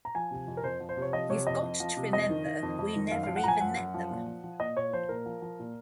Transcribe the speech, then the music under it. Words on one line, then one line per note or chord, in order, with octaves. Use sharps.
You've got to remember, we never even met them.
A#5
F3 G#5
C3
F2
A#4
F2 C5
F3
C5
C3
C#5
F3 D#5
C3 C#5
F2 D#5
F2
F3
C3
F2 D#5
D#3
D#3
F2
F2
D#3
F#2 F5
F3 F5
F#5
F3 G#5 A#5
F#2 F#5
F#2
F3
A#2
F3
F3
A#2 D#5
A#2 C#5
F3 C5
A#2 A#4
F3
F3
A#2